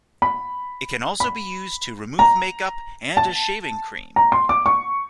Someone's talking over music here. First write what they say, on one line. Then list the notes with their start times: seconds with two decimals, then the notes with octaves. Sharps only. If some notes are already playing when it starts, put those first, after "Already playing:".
It can also be used to remove makeup and as shaving cream.
0.22 B5
1.20 B5
2.19 A#5
3.17 A5
4.16 A#5
4.32 C6
4.49 D6
4.66 C#6